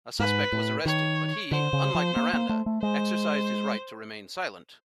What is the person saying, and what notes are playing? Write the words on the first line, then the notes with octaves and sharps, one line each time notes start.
A suspect was arrested, but he, unlike Miranda, exercised his right to remain silent.
G#2 B4
A2
D#3 C#5
D3 C5
C#3
F3
A#3
A#3
A3
A3
G#3 C5